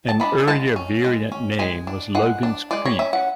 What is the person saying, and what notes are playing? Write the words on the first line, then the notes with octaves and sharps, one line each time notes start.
An early variant name was "Logan's Creek".
A5
G#3 D4 B5
G#3 A5
C#4
G#3
C#4
G#3 G#5
D4
G#3 F#5
D4
G#3 D5
C#5
C#4 E5
F#5